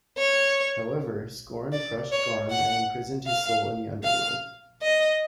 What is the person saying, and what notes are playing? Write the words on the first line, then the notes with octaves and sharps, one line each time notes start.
However, Skorne crushed Garm and imprisoned his soul in the Underworld.
C#5
D5
C#5
F#5
F5
F5
D#5